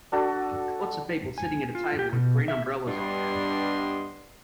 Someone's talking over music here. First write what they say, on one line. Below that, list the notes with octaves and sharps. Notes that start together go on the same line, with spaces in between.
Lots of people sitting at a table with green umbrellas on it.
D4 F#4 A4
G#5
F4
G4
B2
E5
G2 G3 B3 D4 D#5 C6